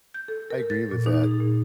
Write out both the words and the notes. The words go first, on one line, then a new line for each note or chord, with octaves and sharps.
I agree with that.
G6
A4
A#4
A6
A#2
D#4
G#4
A#2